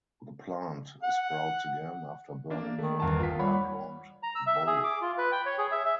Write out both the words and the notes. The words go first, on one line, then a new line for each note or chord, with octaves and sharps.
The plant sprouts again after burning from an underground bole.
F#5
A#3 D4
D#3 A3
G1 E2 A5
F4 B6
G3 C#5 F#5 B5
A#5
E6
E5
G#4
D6
F4
B4
G5
C#5
G#4
E5
E5